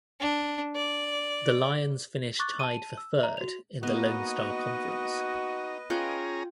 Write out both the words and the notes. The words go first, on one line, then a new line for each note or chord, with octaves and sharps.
The Lions finished tied for third in the Lone Star Conference.
D4
D5
C#6 D6 F#6 A6
A5 D#7
E6
E5 A#5
F#4 F7
A#3 B3 D#4 F#4 B4 D#5
C#4 F4 G#4 F#5 G5 A#5